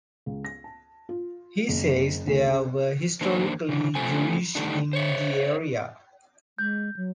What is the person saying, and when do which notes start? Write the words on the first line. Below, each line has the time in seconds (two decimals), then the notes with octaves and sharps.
He says there were historically Jews in the area.
0.26 C#2
0.45 A#6
0.64 A5
1.09 F4
1.68 F#1
2.27 D2
2.46 C#3
3.21 D3 E3 A#3 D4 D#4 C5
3.69 C#3 E3
3.95 C#3 F3 A3 C4 G#5
4.55 D3 D#3 G3 A3 D4 D#4
4.93 C5 C#5 E5
6.58 G#3 G6
6.96 F#3